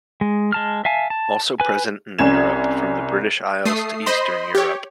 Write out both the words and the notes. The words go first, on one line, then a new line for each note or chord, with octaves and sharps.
Also present in Europe from the British Isles to Eastern Europe.
G#3
G#3 A5 F6
E5 F5 G#5 A5
A5
B4 G#5
C2 C#4 G#6 E7
A3 D#6 C7
C5 D#5 B5 C6
G4 C#5